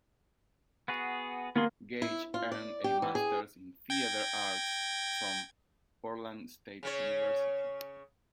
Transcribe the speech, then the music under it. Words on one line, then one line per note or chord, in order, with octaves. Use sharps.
Gage earned a masters in theater arts from Portland State University.
B3 F#4 G#4
A#3 B3 G#4 C6
E4
F4
D5
G4
E3
G#4
G5 G#6 A#6
C#3 C#4 C#5